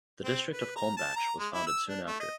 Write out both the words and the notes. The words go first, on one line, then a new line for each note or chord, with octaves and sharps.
The district of Kulmbach was founded soon after.
C4
B4
A#5
A5
A#5
G#3
E4
E6
D4
A3
D#5